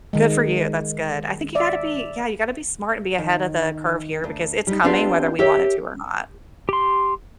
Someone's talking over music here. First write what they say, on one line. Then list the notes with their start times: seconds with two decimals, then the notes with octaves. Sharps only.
Good for you, that's good. I think you gotta be yeah, you gotta be smart and be ahead of the curve here, because it's coming whether we want it to or not.
0.13 D#3 G#3
1.55 D5 E5
3.18 D#3
4.24 D2
4.67 G3 D#4
4.84 B3 C4 D4 F4 G4
5.39 G4 A#4 C#5 E5
6.69 G4 C6